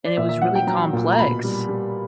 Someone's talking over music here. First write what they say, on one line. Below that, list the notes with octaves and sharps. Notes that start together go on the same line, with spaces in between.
and it was really complex.
D5
A#2 E5
E5
F#3 F#5
G5
F#3 A#5
A#2
A#5
B2 B5
G3
G3